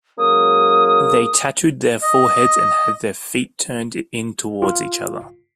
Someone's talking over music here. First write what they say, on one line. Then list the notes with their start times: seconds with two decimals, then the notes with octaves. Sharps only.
They tattooed their foreheads, and had their feet turned in towards each other.
0.18 F#3 G#3 A#3 C#4 D#6
2.02 D#5
4.62 F4